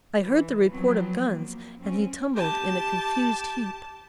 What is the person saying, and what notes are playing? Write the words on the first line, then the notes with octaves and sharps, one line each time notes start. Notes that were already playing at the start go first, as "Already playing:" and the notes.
I heard the report of guns, and he tumbled in a confused heap.
E3
F3 F#3 B3 C4
A#3
F#2 C4 C#4
G4 A5